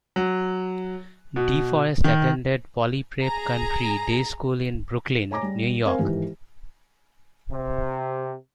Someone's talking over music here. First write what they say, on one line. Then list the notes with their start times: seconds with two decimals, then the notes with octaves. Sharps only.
DeForest attended Poly Prep Country Day School in Brooklyn, New York.
0.16 F#3
1.36 B2
2.04 D#3
3.24 G#4 A#5
5.31 C#5 G#5 A#5 D6 A#6
5.42 G3
5.85 C4 A#4 C5 F5 G#5
5.98 G#2 D#3 E3 D#4 G4
7.51 C3